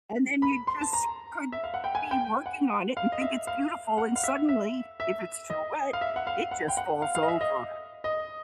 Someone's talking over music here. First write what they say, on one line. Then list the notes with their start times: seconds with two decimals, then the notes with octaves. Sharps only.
and then you just could be working on it and think it's beautiful and suddenly, if it's too wet, it just falls over
0.42 B5
0.67 C6
0.81 A5
0.93 A#5
1.52 E5
1.64 F5
1.74 F#5
1.84 G5
1.95 G#5
2.11 G5
2.46 F#5
2.97 F5
3.12 D#5
3.21 E5
3.47 F5
3.98 F#5
4.16 F5
4.24 E5
4.49 E5
5.00 E5
5.50 D#5
5.93 F5
6.01 E5
6.16 F#5
6.27 F5
6.51 F#5
6.68 G5
6.77 F#5
7.02 F5
7.15 F5
7.23 D#5
7.28 E5
7.41 D#5
8.04 D#5